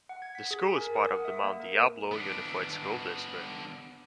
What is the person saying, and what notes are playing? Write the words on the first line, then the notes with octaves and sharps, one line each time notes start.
The school is part of the Mount Diablo Unified School District.
F#5
G#6
B6
G#4
G#5
A#4
D#6
F#5
E5
A#3
A#4
B3 D4